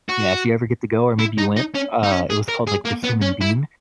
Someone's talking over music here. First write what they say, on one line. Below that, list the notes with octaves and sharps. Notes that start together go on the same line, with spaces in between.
yeah, if you ever get to go or maybe you went, uh, it was called, like, The Human Bean.
F#4
E4
D#4
D#4
C#4
D#4
C#4
G#4
A#4
G#4
A#3
B3
C#4
E4